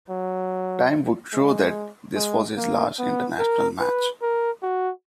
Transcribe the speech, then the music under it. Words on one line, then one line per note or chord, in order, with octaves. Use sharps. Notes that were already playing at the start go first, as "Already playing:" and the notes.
Time would show that this was his last international match.
F#3
G#3
G#3
A#3
B3
A#4
B4
A#4
F#4